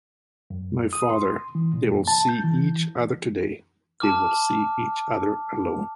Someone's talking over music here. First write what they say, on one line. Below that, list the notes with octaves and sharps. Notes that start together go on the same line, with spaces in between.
My father, they will see each other today; they will see each other alone.
F#2
D#6
C6
E3
A#2
F#2
A5
G6
E3
A5 D6 F6